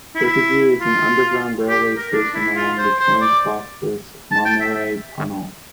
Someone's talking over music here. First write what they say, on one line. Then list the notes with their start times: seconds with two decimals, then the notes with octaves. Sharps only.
Sirkeci is an underground railway station along the trans-Bosphorus Marmaray tunnel.
0.15 E4
0.81 F4
1.69 G4
1.97 A#4
2.13 D4
2.34 E4
2.55 F4
2.78 C5
2.99 C5
3.21 D5
4.31 A5
4.45 G5
4.60 E5